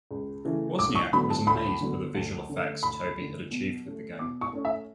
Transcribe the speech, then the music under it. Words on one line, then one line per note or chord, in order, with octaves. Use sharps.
Wozniak was amazed by the visual effects Tobey had achieved with the game.
C#2
C#3 E3 A3
D2 D6
C#6
D3 F#3 B3 B5
A5
D2 B5
D3 F#3 B3
D2
D3 A3 C#4
D2 B5
D3 A3 C#4
B2
A3 C#4
B2 D6
C#6
A3 C#4
E5